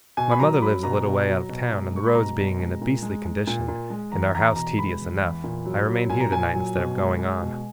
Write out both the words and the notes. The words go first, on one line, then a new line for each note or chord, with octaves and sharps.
My mother lives a little way out of town; and the roads being in a beastly condition, and our house tedious enough, I remained here tonight instead of going on.
B2 G#5
B5
F#3 A#5
F#3 B5
B2 A#5
B2
F#3
B2
G#3
G#3 C#6
B5
B2 A#5
B2
G#3
A#2
G#3
G#3
A#2
A#2
G#3
E2 A#5
E2 A#5
B2 A#5
G#3 B5
E2
E2
A#2
F#3
F#3
A#2 G#5
A#5
A#2 G#5
F#3
B2
G#3
G#3
B2